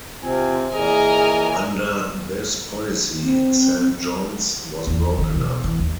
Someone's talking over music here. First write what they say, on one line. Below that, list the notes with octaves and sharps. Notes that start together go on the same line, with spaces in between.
Under this policy, Saint John's was broken up.
C3 C4 F4 G#5
A#2 E3 G#4 A#4 D#5 G#5
C4
E2
D#3
B2
E3
D#2